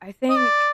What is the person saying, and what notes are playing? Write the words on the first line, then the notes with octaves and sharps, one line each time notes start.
I think
D#5
D5